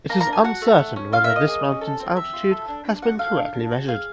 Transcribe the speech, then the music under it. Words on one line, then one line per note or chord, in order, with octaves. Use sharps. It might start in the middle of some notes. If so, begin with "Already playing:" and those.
It is uncertain whether this mountain’s altitude has been correctly measured.
A#3 A#5
A#5
D4
G#5
F#4 F#5
A3
A3
C#4
F4 F5
E5
A#3
D#5
G#4
C#4
A4
C4
C4 E5
F4
A4
D4
D4
F#4 F#5
A4 F5
D4
D4
F#4
G#4 F5